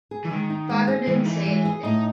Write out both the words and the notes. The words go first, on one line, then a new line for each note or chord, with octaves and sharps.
Father didn't say anything.
G#4
E3
D#3 G#3
D#4
G#3
G#4
E3 G#3
D#3
E3 D#4
G#3
G#4
A2 D#4